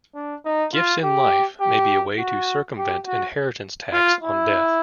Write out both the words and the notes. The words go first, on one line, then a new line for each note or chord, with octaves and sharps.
Gifts in life may be a way to circumvent inheritance tax on death.
D4
D#4
F4
G4
G4
F#4
G4
F#4
F4
E4